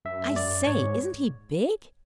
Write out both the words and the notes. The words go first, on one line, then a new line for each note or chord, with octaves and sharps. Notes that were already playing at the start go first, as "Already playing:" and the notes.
"I say, isn't he big!"
F#2 E5
G#2
F#2 D5
G#2 C#5